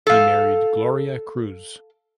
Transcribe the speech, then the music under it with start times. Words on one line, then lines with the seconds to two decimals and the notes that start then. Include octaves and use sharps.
He married Gloria Cruz.
0.07 A4 F5